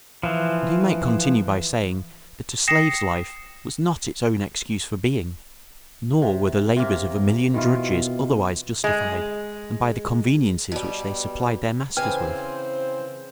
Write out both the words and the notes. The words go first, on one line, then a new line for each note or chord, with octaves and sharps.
And he might continue by saying that a slave's life was not its own excuse for being, nor were the labours of a million drudges otherwise justified than by the conveniences which they supplied their masters with.
E3 F3
G5 D#6 A#6 C7 C#7 E7
C3
C3 A#3
B2 D#3 E3 F4
G#3
B2 G3
C#3 E3 C4 B4 C5 G5 G#5 F6